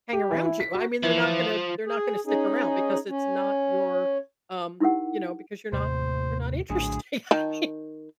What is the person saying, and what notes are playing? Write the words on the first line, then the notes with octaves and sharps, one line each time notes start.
hang around you. I mean, they're not gonna they're not gonna stick around, because it's not your, um you know, because you're not you're not interesting. I mean
G4
E3
E4
B6
F#4
E3 F3
G#4
C#4 D#4 G#4
C#4
D#4 E4 G4 A#4 F#5
D#2 A2 C3 C5
A#1 A2 D3 F#3 G#4
D#3 A5